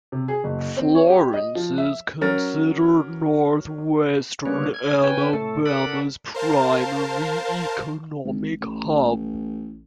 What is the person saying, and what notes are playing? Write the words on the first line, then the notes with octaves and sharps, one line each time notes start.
Florence is considered northwestern Alabama's primary economic hub.
C3
G#4
F#1
C4
C#5
G4
D#5
F3
E5
F#3 C#4 A#4 A6
C#3 G3 A#3 B3 D4 C#5
G#6
C#4 B4 G5 G#5
A2 A3 A4
A4 A#4 D5 F#5 B5
A#4 C5 F5 A5
G#1
A1